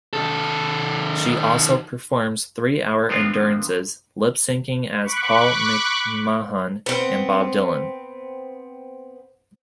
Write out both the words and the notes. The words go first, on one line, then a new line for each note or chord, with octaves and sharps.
She also performs three-hour endurances, lip-syncing as Paul McMahon and Bob Dylan.
D#3 A4
D#3 F3 B3 C4 D4 F4
B5 C#6 D6 F#6
B3 C4